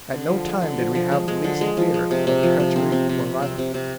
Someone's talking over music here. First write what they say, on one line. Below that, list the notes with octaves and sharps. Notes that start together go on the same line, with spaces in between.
At no time did we have the least fear of treachery or violence.
D3
F3
G#3
D3
F3
F3
G#3
G#3
D3
G#3
F3
G#3
C3
C3
F3
C3
C4
C4
C3
C3
C4
C3
C3